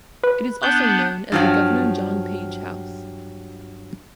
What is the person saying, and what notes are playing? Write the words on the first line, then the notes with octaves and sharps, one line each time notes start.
It is also known as the Governor John Page house.
B4
B3 D4 F#6 G6
G2 F3 F#3